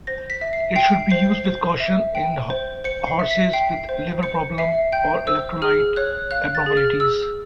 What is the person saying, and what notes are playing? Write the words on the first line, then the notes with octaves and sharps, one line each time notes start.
It should be used with caution in horses with liver problems or electrolyte abnormalities.
C5 A#6
B6
E5
C7
G5 C7
C5 C7
C5
E5
G5
C5
C5 C#7
C7
E5
B6
G5 C7
C5
C5 C#7
E5 C7
G5 G6
C5 E6
G#4 F6
C#5 F#6
F5 F#6
A6
G#4
F6
G#4 E6